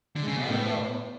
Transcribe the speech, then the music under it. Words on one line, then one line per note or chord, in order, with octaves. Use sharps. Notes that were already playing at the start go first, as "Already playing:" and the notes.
Not at all.
D3
G#3
C#3
B2
A2 B3